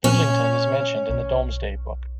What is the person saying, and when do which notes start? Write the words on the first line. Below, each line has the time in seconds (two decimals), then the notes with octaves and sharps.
Lidlington is mentioned in the Domesday Book.
0.04 A#2 C#4
1.10 B1